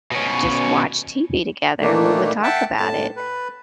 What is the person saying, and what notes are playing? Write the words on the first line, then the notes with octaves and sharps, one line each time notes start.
just watch TV together, and we would talk about it,
B2 C#4
A#2 D#3 E3 A3 A#3 D4
E5 F#5 G5 A5
A2 A5
B4